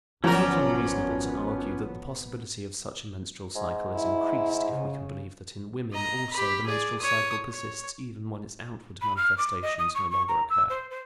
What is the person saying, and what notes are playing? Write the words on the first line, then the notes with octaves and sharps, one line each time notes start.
It is not unreasonable to argue that the possibility of such a menstrual cycle is increased, if we can believe that in women, also, the menstrual cycle persists even when its outward manifestations no longer occur.
G#1 F3 F#3 B3 C#4 A#4 D5
G#2
E4
C#3
D#5 A#5
G4 B5
G#4 D5
C#5 D#6
C#5
B5
F6
D6
D#5
D#6
C#6
C#6
A#5
E6
C5
C5